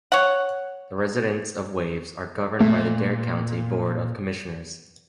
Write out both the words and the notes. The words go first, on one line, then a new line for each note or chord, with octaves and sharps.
The residents of Waves are governed by the Dare County Board of Commissioners.
C#5 F#5
A#2 A3